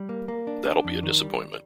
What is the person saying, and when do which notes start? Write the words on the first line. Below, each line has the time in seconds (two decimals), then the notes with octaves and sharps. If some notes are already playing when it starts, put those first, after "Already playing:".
That'll be a disappointment.
Already playing: G3
0.09 A#3
0.28 A#3
0.47 D4
0.65 D4
0.85 F2
1.03 D#3
1.21 G3